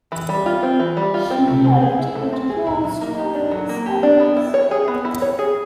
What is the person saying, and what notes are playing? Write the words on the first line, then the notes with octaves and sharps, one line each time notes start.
She held it close to her face and breast.
E3
G3
F4
C4
E3
G3
F4
C4
A3
C4
G#4
E4
A3
C4
G#4
E4
F#3
A#3
G4
D4
F#3
A#3
G4
D4
B3
E4
C#5
G#4
B3
E4
C#5
G#4